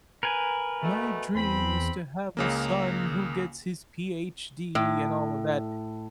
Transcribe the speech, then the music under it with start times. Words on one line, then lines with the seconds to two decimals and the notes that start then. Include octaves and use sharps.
"My dream is to have a son who gets his PhD," and all of that,
0.23 A#4 B4 G#5
0.81 B2 A3
1.35 E2 C4 B5
2.37 C#2 C#3 A#3
4.75 A2